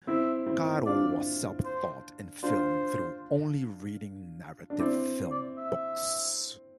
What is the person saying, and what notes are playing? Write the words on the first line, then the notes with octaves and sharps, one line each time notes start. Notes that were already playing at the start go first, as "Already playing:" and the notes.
Caro was self-taught in film through only reading narrative film books.
C4 E4 E5
C4 E4
D4 F4 D5
C5
D4 F4 C5
D4
C4 E4 D5
D5
E5